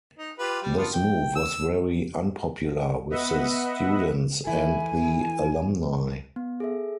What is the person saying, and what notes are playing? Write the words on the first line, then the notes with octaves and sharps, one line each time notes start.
This move was very unpopular with the students and the alumni.
D#4
F4 G4 B4
G3
B3 D4 F4
G5
E6
B3 B4 D#5 E5 F#5
E3 E4 A4 G#5
B3
G#4 A4 E5